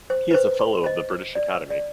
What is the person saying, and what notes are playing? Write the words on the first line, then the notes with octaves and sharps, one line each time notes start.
He is a Fellow of the British Academy.
C5
B4 C5
C5 D#5
D5
D5